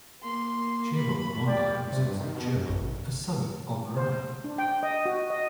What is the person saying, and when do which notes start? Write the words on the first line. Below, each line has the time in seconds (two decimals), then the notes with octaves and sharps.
Chievo Verona represents Chievo, a suburb of Verona.
0.23 A#3 C6
0.95 B5
1.46 F4 G4 D5
1.92 C3
2.06 G2
2.20 D#3
2.34 B2
2.56 F#2
2.69 A1
2.81 G#1
3.97 C5
4.44 D4
4.58 G5
4.83 D#5
5.06 F#4
5.30 D#5